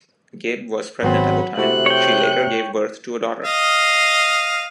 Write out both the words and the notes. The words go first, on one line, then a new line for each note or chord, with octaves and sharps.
Gibb was pregnant at the time; she later gave birth to a daughter.
G#1 F#3 B3 C4 F#5 B5
C3 A3 E4 F#4 F#6
C#5 G5
D#5 F5